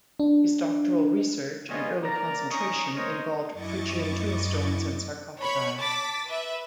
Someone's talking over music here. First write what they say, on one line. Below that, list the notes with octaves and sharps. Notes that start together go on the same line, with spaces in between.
His doctoral research and early concentration involved Phrygian tombstones and sarcophagi.
D4
G3 B3 F4 G#4 C#5 D#5
A#3 A#4 D5 A#5
C#4 D#4 D#5 A#5 C#6 D#6
A#4 C5 C#5 D#5
F#2 E4 D#5 C#6 D6 A6
C#5 B5 C#6
A5 D6 A6 B6
B4 E5